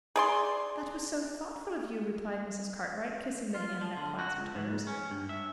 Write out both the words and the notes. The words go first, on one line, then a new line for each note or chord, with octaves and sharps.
"That was so thoughtful of you!" replied Mrs. Cartwright, kissing the hand that clasped hers.
G#4 D5 C6
F4
F3
D3
F#4
C#2
G#2
C#4
G2
E5